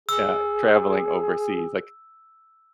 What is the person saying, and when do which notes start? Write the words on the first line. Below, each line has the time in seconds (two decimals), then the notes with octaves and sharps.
Yeah, traveling overseas, like
0.09 G#4 E6